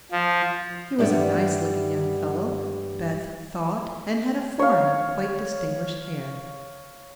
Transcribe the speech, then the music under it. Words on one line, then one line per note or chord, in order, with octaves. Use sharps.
He was a nice looking young fellow, Beth thought, and had a foreign and quite distinguished air.
F3
G2 G3 B3 E5 F#5
C#5 F5